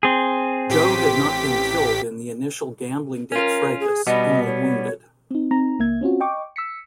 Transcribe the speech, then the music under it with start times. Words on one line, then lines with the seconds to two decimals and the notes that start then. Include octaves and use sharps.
Joe had not been killed in the initial gambling-debt fracas, only wounded.
0.03 C4 G#4
0.70 A1 G4 B6
3.32 C#4 F4 A#4
3.80 G#4
4.07 B2 G3 B3 D#5
4.46 C#5
5.31 C4 D#4
5.51 C4 D#4 A#5
5.79 C#2 A#3 E5 G#6
6.01 C4 C#4 F4 F#4
6.20 D#5 G5 C#6 D6
6.56 E6 B6 C#7